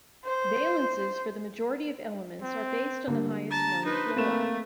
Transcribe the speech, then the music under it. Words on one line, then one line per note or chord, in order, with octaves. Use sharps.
Valences for the majority of elements are based on the highest known fluoride.
C5
C4
D3 G3 A#3
A5 A#5
D#4 B4 C5
A3 A#3 C4 E7